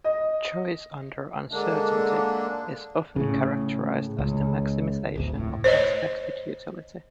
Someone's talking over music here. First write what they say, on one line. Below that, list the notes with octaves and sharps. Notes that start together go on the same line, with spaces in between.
Choice under uncertainty is often characterized as the maximization of expected utility.
D#5
D3 G#3 A#3 D4
A2 C#3
C#2
D1 G1 D2
F1 A2
C5 C#5 D#5